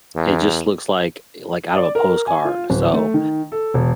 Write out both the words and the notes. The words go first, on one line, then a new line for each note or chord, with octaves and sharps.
it just looks like like out of a postcard, so
E2
D5
A#4
G#5
F4
D1
A3
D#3
A4
E1